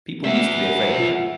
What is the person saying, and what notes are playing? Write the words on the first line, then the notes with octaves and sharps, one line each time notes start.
People used to be afraid of him.
G#3 A3 C#4 E5 F#5
B2 F4